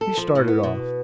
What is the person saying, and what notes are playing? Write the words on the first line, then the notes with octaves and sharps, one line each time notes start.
He started off.
A4
F3
A2
B3
B2